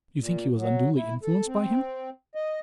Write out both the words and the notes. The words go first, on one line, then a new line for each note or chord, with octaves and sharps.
"You think he was unduly influenced by him?"
A#2
F#3
E4
A4
C4
D#5